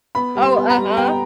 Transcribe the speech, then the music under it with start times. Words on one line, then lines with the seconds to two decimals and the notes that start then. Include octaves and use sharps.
Oh, uh-huh.
0.15 B3 B5
0.35 G3
0.43 C6
0.56 B3
0.70 A#5
0.77 G3
0.97 B3 G5